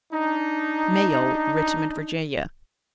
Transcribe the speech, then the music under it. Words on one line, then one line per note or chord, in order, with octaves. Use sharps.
Mayo, Richmond, Va.
D4 D#4